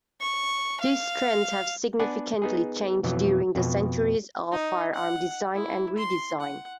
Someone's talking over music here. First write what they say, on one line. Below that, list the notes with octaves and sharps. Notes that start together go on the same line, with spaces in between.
These trends have significantly changed during the centuries of firearm design and re-design.
C#6
F5
B3 D4 B4 D5 F#5 G#5
B3 D#4 G#4
F2 B2 E3 F#3
F2 B2
D#4
F#5
E4
C6
F#5